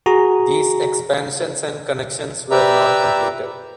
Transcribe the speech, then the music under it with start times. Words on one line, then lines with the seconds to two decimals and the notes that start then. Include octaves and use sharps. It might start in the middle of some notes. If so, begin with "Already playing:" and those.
These expansions and connections were not completed.
0.06 F#4 G#4 A#5
2.51 G4 B4 D5 E5 A#5 E6